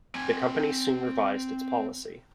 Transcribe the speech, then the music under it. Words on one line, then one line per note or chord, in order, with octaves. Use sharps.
The company soon revised its policy.
C4 G#5